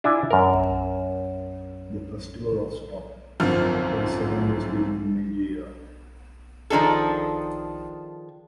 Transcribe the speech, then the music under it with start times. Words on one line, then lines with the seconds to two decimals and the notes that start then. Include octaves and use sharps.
The festival was stopped for seven years during the Meiji era.
0.04 D4 E4 F4 G#5
0.31 F#2 A#4
3.40 G#1 F#2 D3 F3 F6
6.70 D#3 F3 D4 G#4 A4